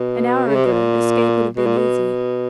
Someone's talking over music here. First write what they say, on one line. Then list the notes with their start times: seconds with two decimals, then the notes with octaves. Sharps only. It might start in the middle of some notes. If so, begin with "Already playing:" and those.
An hour ago escape would have been easy.
Already playing: B2
0.47 C#3
0.55 C3
0.65 B2
0.73 A#2
1.56 B2
1.66 A#2
1.78 B2